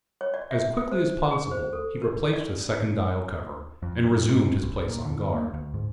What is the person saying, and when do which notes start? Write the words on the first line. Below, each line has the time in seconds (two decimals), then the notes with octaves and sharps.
As quickly as possible he replaced the second dial cover, and resumed his place on guard.
0.21 C#5
0.34 D5
0.51 E5
0.91 C5
1.31 G#4
1.51 C5
1.73 A4
2.02 A#4
2.33 D5
3.82 F2
4.09 G2
4.28 G#2
4.63 C2
4.88 A#2
5.05 D3
5.34 A#3
5.53 D2
5.74 G#2